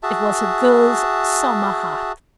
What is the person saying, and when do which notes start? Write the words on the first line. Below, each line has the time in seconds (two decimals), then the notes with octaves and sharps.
It was a girl's summer hat.
0.03 F#4 G#4 E5 A5